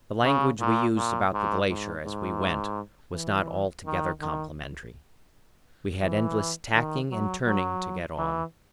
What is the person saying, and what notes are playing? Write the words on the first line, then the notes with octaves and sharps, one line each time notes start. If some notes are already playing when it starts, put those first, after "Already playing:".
The language we used about the glacier as we went was not altogether complimentary; we had endless tacking and turning to get on.
C#3
A#2
A#2
G#2
G#2
G#2
E3
D#3
D#3
E3
D#3
F#3
F#3
E3